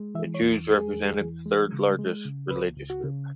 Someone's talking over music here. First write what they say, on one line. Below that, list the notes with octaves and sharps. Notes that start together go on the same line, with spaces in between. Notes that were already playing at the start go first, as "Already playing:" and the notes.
The Jews represented the third largest religious group.
Already playing: G#3
E3 E5
C#5
E2
G#3
G#4
E2
E3
G#3
C#3
G#3
C#3
C#2 B4
C#2
F#4
C#3